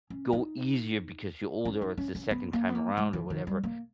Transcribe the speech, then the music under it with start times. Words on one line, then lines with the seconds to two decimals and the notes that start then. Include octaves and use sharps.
go easier, because you're older, or it's the second time around, or whatever.
0.10 C#4
0.33 D#4
1.65 C#4
1.82 D#4
1.98 C#4
2.15 C#4
2.31 B3
2.53 A#3
2.69 B3
2.75 A#3
2.97 G#3
3.13 E3
3.30 D#3
3.47 G3
3.64 A#3